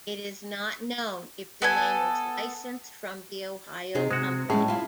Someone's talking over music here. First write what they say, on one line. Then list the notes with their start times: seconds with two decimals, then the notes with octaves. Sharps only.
It is not known if the name was licensed from the Ohio company.
1.62 B3 A4 G#5
3.95 C3 D#4 G#4
4.11 C3 G#3 F#4
4.50 A2 G#3 C#4 G#4
4.68 E4 F4